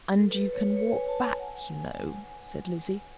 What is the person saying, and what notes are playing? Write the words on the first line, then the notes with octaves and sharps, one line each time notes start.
"And you can walk back, you know," said Lizzie.
A4
B4
C#5
B4
C#5
G#5
A5
G#5
F#5